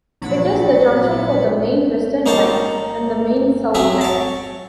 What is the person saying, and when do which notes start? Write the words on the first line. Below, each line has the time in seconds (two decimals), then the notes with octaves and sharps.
It is the junction for the Main Western line and the Main South line.
0.22 A#1 F#3 B5 A6 C#7
2.26 A#3 D#4 C5 C#5 A5
3.74 F#3 C4 G#4 E5
4.01 C#5 A5